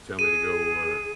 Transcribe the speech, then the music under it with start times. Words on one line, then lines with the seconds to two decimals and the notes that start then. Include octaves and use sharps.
tell me to go, uh,
0.19 G#4 D#7